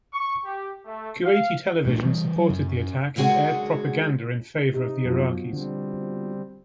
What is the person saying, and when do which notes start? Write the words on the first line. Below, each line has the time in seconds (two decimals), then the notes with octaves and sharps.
Kuwaiti television supported the attack and aired propaganda in favor of the Iraqis.
0.12 C#6
0.45 G4
0.86 A3
1.24 F5
1.85 A1 A2 A3 D4
2.04 E3 G3
2.36 F#3
2.50 F#2
3.16 F#2 D3 G#3 F#4 G#4 F#5
4.74 C3 D#4
5.05 F#2 B2 F3
5.53 D3 G3 C4